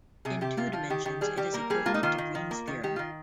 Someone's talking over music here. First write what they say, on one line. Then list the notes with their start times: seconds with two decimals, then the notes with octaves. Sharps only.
In two dimensions, it is equivalent to Green's theorem.
0.25 C3 G#4
0.41 C3 G4
0.57 C3 F4
0.73 F3 F4
0.90 D#3 G4
1.05 D#3 G4
1.21 G3 G#4
1.37 G3 G4
1.54 A#3 A#4
1.70 G3 G#4
1.86 A#3 F4
1.94 D#4
2.03 D#3 F4
2.18 D#3
2.35 D#3
2.51 A#3
2.67 D#3
2.83 D#3 G4
2.96 D#3 F4